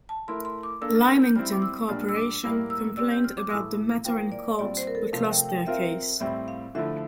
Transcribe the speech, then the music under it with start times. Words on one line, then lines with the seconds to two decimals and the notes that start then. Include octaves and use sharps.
Lymington Corporation complained about the matter in court, but lost their case.
0.09 A5
0.28 A3 E4 A#4 C6
0.45 C6
0.63 D6
0.81 A#3 D4 A4 E6
0.95 F6
1.08 F6
1.22 G6
1.36 G3 C4 E4 F6
1.52 D6
1.62 E6
1.89 A#2 G3 D4 F6
2.01 F6
2.09 E6
2.16 D6
2.43 A2 G3 A#3 E4 A#4 E6
2.70 E6
2.97 C4 G4 D5 E6
3.11 G6
3.24 F6
3.37 D6
3.51 A2 E3 A3 E4 E6
4.05 E3 A#3 F4 C5 F5 G5
4.32 D5
4.58 A#2 G3 C4 F4 D5
4.77 C5
4.87 A#4
4.95 A4
5.13 C3 F3 A3 C4 F4 F5
5.31 G5
5.49 G5
5.67 C4 F4 A#4 E5 F5
6.20 A2 G3 C4 E4 E5
6.48 F5
6.75 D3 F3 A3 E4 E5